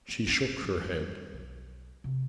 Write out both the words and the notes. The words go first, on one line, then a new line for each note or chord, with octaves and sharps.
She shook her head.
B3
C4 C#4
E3 F3
G3
B1
C3 C4